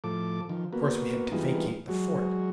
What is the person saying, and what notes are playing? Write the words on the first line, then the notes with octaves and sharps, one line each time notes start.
Of course we had to vacate the fort.
A2 F3 A4 D6
D#3 F3
A#3 B3 F#4
E3 G3 G#3 B3 D#4 F4
F#3 G#3 F#4